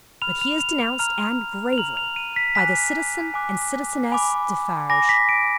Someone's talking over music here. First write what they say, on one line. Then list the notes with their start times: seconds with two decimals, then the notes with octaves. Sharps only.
But he is denounced--and gravely--by the Citizen and Citizeness Defarge.
0.22 B5 F6 F7
0.41 F7
0.60 F7
0.80 F7
0.99 A#5 F6 F7
1.73 F7
1.78 A#5 F6 F#7
1.97 F7
2.16 D#7
2.36 B6
2.55 G#5 D6 F#6 B6
3.34 G#5 D6 F#6
4.12 G#5 B5 D6
4.90 G#5 B5 D6 A#6
5.09 B6
5.29 D7